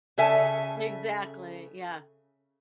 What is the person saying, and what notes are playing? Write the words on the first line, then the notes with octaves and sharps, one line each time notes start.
Exactly, yeah.
C#3 A4 E5 G#5